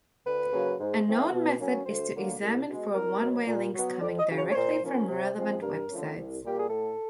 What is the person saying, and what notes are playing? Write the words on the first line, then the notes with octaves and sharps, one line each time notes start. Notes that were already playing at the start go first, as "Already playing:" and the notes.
A known method is to examine for one-way links coming directly from relevant websites.
D2 B4
C#3 F#3 A#3
G#2
E3 A3 C4
B2
F#3 A#3 C#4
D2 C5
D3 F#3 A#3
C2
B2 G#3
C2 A#4
B2 F#3
A#2
F#3 B3
F2 D5
D#5
C#3 F#3
C#5
C#5
A#2 C5
F3 A#3 C#4
C3
F3 G#3 C4
G2 A#4
D3 F3 A3 C#4
C2
A#2 G3 A#3 G4
G#4
A2 A4